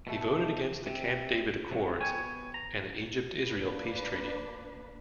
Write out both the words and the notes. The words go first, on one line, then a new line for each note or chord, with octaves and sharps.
He voted against the Camp David Accords and the Egypt-Israel Peace Treaty.
B2 A3
C3
C3 F#3
B3 C#5 G5 G#5
A#5
A#3 D4 B4